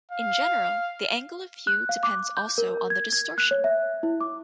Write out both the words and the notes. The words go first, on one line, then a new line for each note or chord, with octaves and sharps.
In general, the angle of view depends also on the distortion.
F5
F#6
F5
D6
G6
A#4
G#6
G#6
F#6
C#5
E5
E4
D6